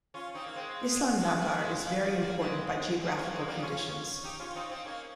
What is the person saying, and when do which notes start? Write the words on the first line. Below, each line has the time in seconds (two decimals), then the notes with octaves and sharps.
Islamnagar is very important by geographical conditions.
0.14 C#4 F4
0.34 C4 D#4
0.46 A#3
0.55 G#3 C4
1.18 F3 G#3
1.38 D#3 G3
1.58 F3 G#3
1.78 C#3 F3
1.99 D#3 G3
2.19 G3 A#3
2.40 G#3 C4
3.01 G#3 C4
3.16 A#3 C#4
3.32 G#3 C4
3.47 G3 A#3
3.58 D#4
3.63 C#4 F4
4.24 D#4 G4
4.39 C#4 F4
4.50 F4
4.55 C4 D#4
4.70 C4 D#4
4.85 A#3 C#4